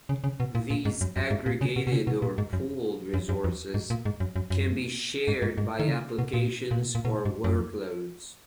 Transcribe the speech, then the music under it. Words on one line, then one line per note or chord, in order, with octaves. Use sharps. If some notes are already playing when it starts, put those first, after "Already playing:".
These aggregated or pooled resources can be shared by applications or workloads.
C#3
C#3
B2
A#2
A#2
G#2
F#2
F#2
G#2
A#2
C#3
B2
B2
C#3
B2
A#2
G#2
F#2
F#2
F#2
F2
G#2
A#2
G#2
F#2
F#2
F#2
G#2
G#2
G#2
D#3
C#3
B2
A#2
A#2
B2
A#2
B2
A#2
G#2
F#2
F2